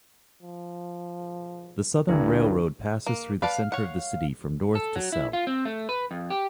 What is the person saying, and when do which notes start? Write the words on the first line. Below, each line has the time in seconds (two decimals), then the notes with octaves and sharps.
The Southern Railroad passes through the center of the city from north to south.
0.42 F3
2.09 D2 G2 D4 E4
3.07 A#3
3.42 B4 D5 F5 A5
3.72 C#5 F#5
4.75 A4
4.96 F#3
5.12 E4
5.33 F4
5.47 C4
5.65 A3
5.89 B4
6.11 F2
6.30 G4